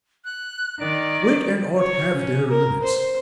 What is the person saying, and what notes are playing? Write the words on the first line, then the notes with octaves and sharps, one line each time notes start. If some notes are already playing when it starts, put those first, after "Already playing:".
Wit and art have their limits.
F#6
D#3 D5
C#5
C#4
A#4
C5